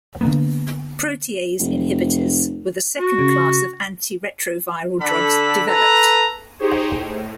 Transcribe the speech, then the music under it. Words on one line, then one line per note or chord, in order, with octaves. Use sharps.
Protease inhibitors were the second class of antiretroviral drugs developed.
D3 E3 A#3 B3
F1
F#4
C#3
D3 A4 B5
A4 B4 A#5
D#4 G4 G#4 C5 C#5
A2